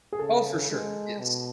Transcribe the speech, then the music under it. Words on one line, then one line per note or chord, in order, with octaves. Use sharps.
Oh, for sure, yes.
G#4
C#3 A4
G#3
B2